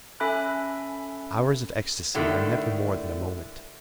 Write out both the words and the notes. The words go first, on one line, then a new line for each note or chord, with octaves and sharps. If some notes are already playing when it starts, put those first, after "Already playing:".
Hours of ecstasy are never more than a moment.
C#4 A4 E5 G#5 B5 F#6
A2 D3 D#3 G3 A3